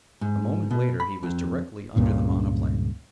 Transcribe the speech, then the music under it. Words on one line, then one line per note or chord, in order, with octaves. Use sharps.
A moment later he was directly under the monoplane.
G#2
B2
B5
F2
C#2 G2 A#2 C#3